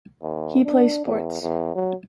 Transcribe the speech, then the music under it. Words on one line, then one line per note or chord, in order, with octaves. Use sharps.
He plays sports.
D#2
D4
E2
E2
F#3